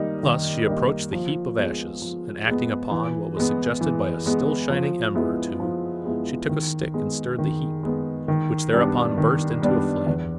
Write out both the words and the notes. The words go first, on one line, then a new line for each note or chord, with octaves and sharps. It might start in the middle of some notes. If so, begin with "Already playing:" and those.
Thus she approached the heap of ashes, and acting upon what was suggested by a still shining ember or two, she took a stick and stirred the heap, which thereupon burst into a flame.
Already playing: D#3 G3 A#3 D#4
D#3
G3 A#3 D#4
F3
G#3 B3
F3
G#3 B3
E3
G#3 B3
E3
G#3 B3
F3
G#3 B3 E4
F3
G#3 B3 E4
D#3
G#3 B3
D#3
G#3 B3
D#3
G3 B3 D4
D#3
G3 B3 D4
E2